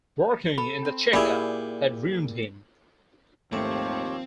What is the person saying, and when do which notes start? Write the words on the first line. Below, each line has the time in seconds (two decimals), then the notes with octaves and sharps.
Working in the Cheka had ruined him.
0.58 A4 B5
0.85 C4
1.13 A#2 E4 G4 G#4 D5 G#5 B5
3.52 G#1 D#2 A#2 F3 A3 C4 G4 C#5